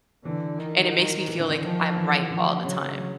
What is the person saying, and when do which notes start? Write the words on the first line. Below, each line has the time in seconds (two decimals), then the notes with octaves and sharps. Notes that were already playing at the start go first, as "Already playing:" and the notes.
and it makes me feel like I'm right all the time,
0.24 D3 E3
0.59 D#3
1.28 E3
1.39 D3
1.49 D3
1.62 D#3 F3
1.96 E3
2.30 D3 F3
2.64 C#3 F#3